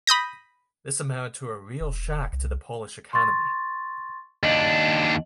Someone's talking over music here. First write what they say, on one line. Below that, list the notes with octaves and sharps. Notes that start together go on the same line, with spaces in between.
This amounted to a real shock to the Polish economy.
B5 D#6 G6 A#6
E1
C2
C6 C#6 A6
D#2 D4 D#5 F#7